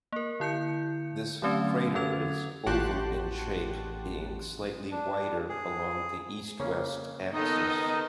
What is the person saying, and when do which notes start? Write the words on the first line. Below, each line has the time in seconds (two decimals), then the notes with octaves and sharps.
This crater is oval in shape, being slightly wider along the east-west axis.
0.12 A#3 A#4
0.40 D3 E4 G6 C#7
1.42 D3 F#3 A3 C4 C#4
1.95 D3 C#4 A4 G#6 F7
2.66 A1 F#4 G4 A5 C6 F#6
4.91 D4
5.49 G#4
6.60 C#3 A#3 C#4
7.33 D#3 B3 D#4 A4 D#5